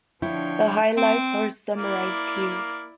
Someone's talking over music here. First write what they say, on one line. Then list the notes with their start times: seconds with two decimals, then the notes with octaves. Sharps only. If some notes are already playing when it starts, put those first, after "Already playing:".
The highlights are summarized here.
0.22 D3 F3 E4 C#5 G5
0.97 C4
1.76 A#3 E4 D5